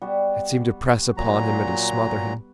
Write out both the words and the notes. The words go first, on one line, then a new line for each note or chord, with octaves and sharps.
It seemed to press upon him and to smother him.
G3 B3 F#4
A#2 F#3 A#5